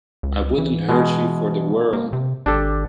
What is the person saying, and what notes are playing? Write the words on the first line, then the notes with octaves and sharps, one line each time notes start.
I wouldn't hurt you for the world.
C#2
E3
B2 G#3
A#3
C3
G#1 D4 G4 A4